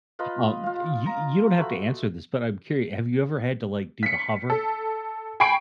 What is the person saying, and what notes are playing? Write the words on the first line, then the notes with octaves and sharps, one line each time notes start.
Well, y you, you don't have to answer this, but I'm curi have you ever had to like do the hover?
F4 B4 D#5 B5
F4 F5
A#5
A3 F#4 B5
B6 C#7
A4
G5 G#5 B5 C#6 C7 D7